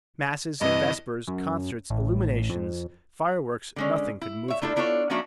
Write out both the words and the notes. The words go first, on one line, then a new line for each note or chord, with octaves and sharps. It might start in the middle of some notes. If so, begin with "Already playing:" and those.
Masses, vespers, concerts, illuminations, fire-works--nothing could move him.
G2 C3 E3 D#5
F#2
A1
F2
D3 G#3 C#4
E4
C#5 E5
A3 D4 E4 F4 A4
B3 D4 E4 F4 A4 C#5
F3 A#3 C#4 D4 F#4 E5